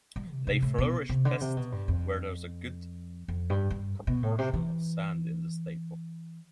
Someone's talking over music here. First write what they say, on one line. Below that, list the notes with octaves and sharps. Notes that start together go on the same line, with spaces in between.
They flourish best where there is a good proportion of sand in the staple.
G3
C3
C3
A2
B2
C3
D3
C3
B2
G2
F2
F2
G2
G2
B2
A2
C3
E3